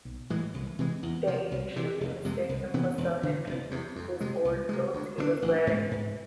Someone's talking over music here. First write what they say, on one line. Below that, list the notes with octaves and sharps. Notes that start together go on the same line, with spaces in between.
They initially mistake him for Sir Henry, whose old clothes he was wearing.
B1
A2 E3 G#3
C2
C3 E3 G#3
E2
C3 F3
C2
C3 E3
F1
F2 C3 G#3
C2
C3 E3 B3
E1
D2 D3
F1
E2 C3
F2
C3 G#3
C2
C3 G#3
D2
D3 A3 D4
A1
G#2 G#3
G#2